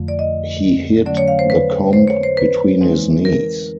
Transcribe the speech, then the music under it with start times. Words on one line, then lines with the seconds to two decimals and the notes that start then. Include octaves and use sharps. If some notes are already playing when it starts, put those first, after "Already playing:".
He hid the comb between his knees.
Already playing: F2 D3 F3 A3
0.08 D5
0.19 D#5
1.06 D3 F#3 A3 C#4 D5
1.17 C#5
1.28 F5
1.39 C5
1.50 B4
1.93 C5
2.08 C#5
2.23 C5
2.37 B4
2.81 E3 G#3 C4 D#4
3.25 A#4